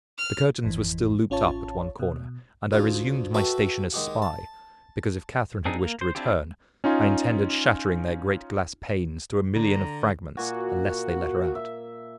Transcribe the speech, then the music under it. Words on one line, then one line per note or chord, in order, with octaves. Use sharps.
The curtains were still looped up at one corner, and I resumed my station as spy; because, if Catherine had wished to return, I intended shattering their great glass panes to a million of fragments, unless they let her out.
F6
G#1 F2 E3
A1 C#4 F4 C#5 A5
B2
D2 F4
F#4 A4 B4 E5 G5
D#2 G#3 G4 F#5
A5
C4 D4 D#4 G#4
A#3
C5
C4 D4 E4 F4 G4
C#4 D#4 F4 G#5
D3 A#5
A#2 F#4 G#5
E5